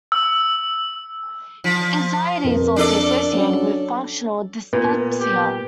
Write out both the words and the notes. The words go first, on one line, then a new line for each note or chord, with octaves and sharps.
Anxiety is also associated with functional dyspepsia.
E6
F3
F2 A#4
D4 A4 D5
F#3 C#4
A#2 B3
G4